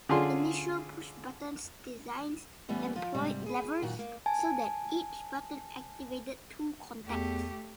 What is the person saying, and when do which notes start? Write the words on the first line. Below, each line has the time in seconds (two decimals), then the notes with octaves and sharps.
Initial pushbutton designs employed levers, so that each button activated two contacts.
0.09 D3 C#4 F4 G#4 C6
2.69 E3 G3 A3 B3 C#4
2.95 F3 F4
3.15 G#2 C3 G3
3.46 G#4 B4
3.82 F#2 A#2 D#3 F#4
3.99 A#3
4.26 G#5 A5
7.05 E2 A3 G4